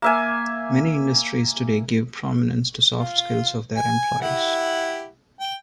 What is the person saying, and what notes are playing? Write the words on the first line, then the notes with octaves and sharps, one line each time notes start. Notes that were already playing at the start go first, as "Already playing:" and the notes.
Many industries today give prominence to soft skills of their employees.
A#3 E5 G#5
F4
G#5
E4 G4 F#5
G5